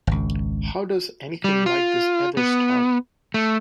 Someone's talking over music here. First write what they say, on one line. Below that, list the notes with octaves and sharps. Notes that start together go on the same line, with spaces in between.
How does anything like this ever start?
G#1 C#2
G3
F4
B3
A3